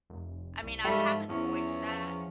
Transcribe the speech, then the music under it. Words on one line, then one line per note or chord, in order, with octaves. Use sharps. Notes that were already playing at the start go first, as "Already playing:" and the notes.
I mean, I haven't voiced that,
F1
C2
G#2 F3 G3 A3
E2 F3 C#4